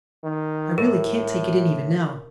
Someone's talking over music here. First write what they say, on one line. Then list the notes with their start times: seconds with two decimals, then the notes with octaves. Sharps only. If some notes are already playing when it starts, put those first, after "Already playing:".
I really can't take it in even now....
0.24 D#3
0.78 A2 A#4